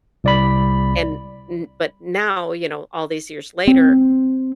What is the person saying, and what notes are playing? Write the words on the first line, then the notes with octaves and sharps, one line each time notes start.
And n but now, you know, all these years later,
C2 D5 B5
C4